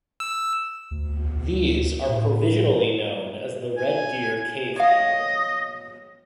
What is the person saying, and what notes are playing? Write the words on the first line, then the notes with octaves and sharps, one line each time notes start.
These are provisionally known as the Red Deer Cave people.
E6
D2
D2
A2
G#5
C#5 D#5 F5